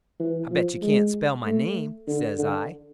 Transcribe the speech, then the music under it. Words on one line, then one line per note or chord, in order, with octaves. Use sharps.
"I bet you can't spell my name," says I.
E3
F3
G#3
A3
D3
D3